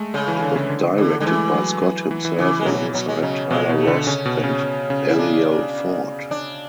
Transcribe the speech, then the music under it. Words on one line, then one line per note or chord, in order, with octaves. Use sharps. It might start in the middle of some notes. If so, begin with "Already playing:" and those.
It was directed by Scott himself alongside Tyler Ross and Eliel Ford.
Already playing: G#3 A3
C#3 G#3
E3
D3
C#3
D3
D3 E3
D3 G#3
E3 A3
F#3
F#3
E3
E3
C#3 E3
G#3
B2 F#3
B2 F#3
G#3
C#3 F#3
B2 G#3
B2
A3
D3
C#3 C#4
B2
C#3
B2
C#3
E4
D4
D4